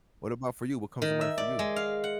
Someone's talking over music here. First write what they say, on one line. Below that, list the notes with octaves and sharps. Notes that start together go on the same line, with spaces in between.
what about for you? What comes to mind for you?
D#3
E5
D5
G#3
F5
F#5